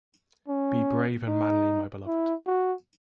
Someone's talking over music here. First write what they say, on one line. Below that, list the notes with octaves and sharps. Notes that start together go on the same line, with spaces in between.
Be brave and manly, my beloved!
C#4
D#4
E4
F#4